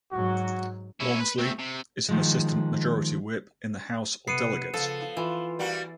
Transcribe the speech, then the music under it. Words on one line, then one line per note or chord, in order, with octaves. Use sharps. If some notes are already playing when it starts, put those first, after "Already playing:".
Wamsley is an assistant majority whip in the House of Delegates.
G#2 F#3 F#4
C#4 E4
B4
A3 C4
C3
D#3 F3 G#3
C3 B3 C7 C#7 D#7
C#3 F3 A4
E3 F4
G3 A#3 F#4